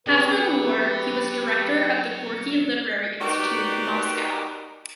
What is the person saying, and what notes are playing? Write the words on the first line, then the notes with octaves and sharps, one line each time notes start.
After the war, he was director of the Gorky Literary Institute in Moscow.
F#3 C4 G4 G#4 B4 D5
D#4 F#4 G4 A#4 B4 D5